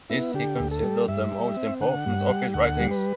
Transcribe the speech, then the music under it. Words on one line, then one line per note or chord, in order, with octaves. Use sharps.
This he considered the most important of his writings.
B3 E4
D3 G4
D2
A4
G3
G2 E5
G3
C4
D3 F#5
G2
G3
D2 F#5
G3
B4